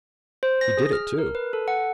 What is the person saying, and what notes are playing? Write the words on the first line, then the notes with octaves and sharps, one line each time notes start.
He did it too.
C5
A#6
G#4
F6
A#4
B4
A4
F#5